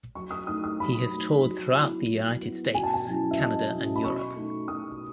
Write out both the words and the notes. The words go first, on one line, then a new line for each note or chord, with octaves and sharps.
He has toured throughout the United States, Canada, and Europe.
F#3 C#6
D#6
A3 D#4 D#6
D#6
F#3 B5
A3 D#4
F#3
B3 E4
F#3
B3 E4
B2 G#5
A5
G#5
F#3 C#4 E4
E5
B2 D#5
F#3 C#4 E4
B5
B2 C#6
A3 D#4
B2 D#6